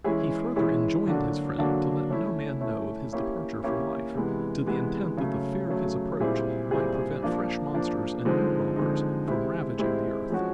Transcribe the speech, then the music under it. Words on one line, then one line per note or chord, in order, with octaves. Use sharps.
He further enjoined his friend to let no man know of his departure from life, to the intent that the fear of his approach might prevent fresh monsters and new robbers from ravaging the earth.
E3 G#3 C#4 E4 G#4
E3 G#3 C#4 E4 G#4
D3 F#3 A#3 D4 F#4
D3 F#3 A#3 D4 F#4
A3 C#4 E4
A3 C#4 E4
A#3 C#4 E4 G4
A#3 C#4 E4 G4
C3 E3 G#3 B3
C3 E3 G#3 B3
C#3 F#3 A3
C#3 F#3 A3
A#2 G3 C4 E4 G#4
A#2 G3 C4 E4 G#4
F3 A#3 D4
F3 A#3 D4
D3 F3 G#3 C4 D#4
D3 F3 G#3 C4 D#4
G#3 C4 E4 G4
G#3 C4 E4 G4
F3 G#3 C#4 F#4